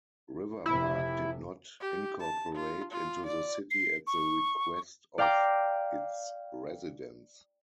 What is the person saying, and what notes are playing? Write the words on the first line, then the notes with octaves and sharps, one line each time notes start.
River Park did not incorporate into the city at the request of its residents.
F1 C3 E4
G4
A5
F4
F4
D5
C7
C#6
D5 F5 G5 A#5 D6